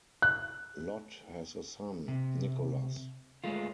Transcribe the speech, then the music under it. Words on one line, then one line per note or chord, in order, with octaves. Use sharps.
Lott has a son, Nicholas.
F#6
C3
G#3 A3 F4